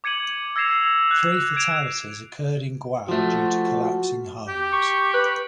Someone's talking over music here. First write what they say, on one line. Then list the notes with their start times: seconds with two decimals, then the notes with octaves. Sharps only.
Three fatalities occurred in Guane due to collapsing homes.
0.04 D6 G#6 C#7 D#7 F#7
0.56 E6 G#6 A#6 C7 E7 F7
0.85 E6
1.11 F#6
1.56 G#6 D7 E7 F7
3.09 F3 A3 F#4
4.48 G4
4.73 C#6
5.14 B4